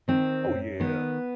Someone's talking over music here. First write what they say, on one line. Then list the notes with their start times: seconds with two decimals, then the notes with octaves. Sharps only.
Oh, yeah.
0.08 D#3 C4
0.45 F#2
0.80 D#3 B3